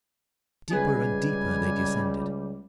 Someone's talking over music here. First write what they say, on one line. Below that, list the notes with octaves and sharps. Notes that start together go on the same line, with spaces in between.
Deeper and deeper they descended.
C#2 G3 G#4 B4 G#5